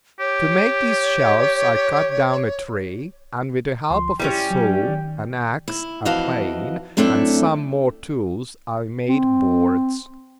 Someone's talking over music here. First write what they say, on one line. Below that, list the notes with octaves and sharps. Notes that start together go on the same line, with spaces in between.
To make these shelves I cut down a tree, and with the help of a saw, an axe, a plane, and some more tools, I made boards.
G4 C#5
D2 F3 C6
G3 B3 C#4 E4 G4 G5
F#3
D#3
E4
F2 E3 F#4 D#5 F5 A5
F#2 A3 C4 D4 E4 A4
C4